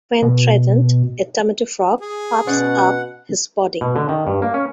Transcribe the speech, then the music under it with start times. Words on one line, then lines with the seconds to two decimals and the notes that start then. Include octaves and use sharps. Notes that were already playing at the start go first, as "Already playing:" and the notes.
When threatened, a tomato frog puffs up its body.
0.23 B2
2.01 G#4
2.47 B2 C#4 C5 D5 F#5
3.81 B2
3.96 D3
4.09 D#3
4.27 G2
4.42 A#3
4.54 C#4